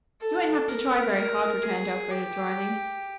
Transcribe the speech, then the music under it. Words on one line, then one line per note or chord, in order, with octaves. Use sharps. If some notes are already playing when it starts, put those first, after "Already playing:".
"You won't have to try very hard," returned Elfreda dryly.
A4
A#4
A#4
G#4
G4